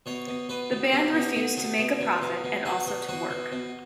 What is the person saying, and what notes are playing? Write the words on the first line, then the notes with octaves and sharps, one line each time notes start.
The band refused to make a profit and also to work.
B2 C#5
B2
B2 B4
B2
B2 G4
B2
B2
B2
B2
B2
B2
B2
B2 F#4
B2
B2 F#4
B2
B2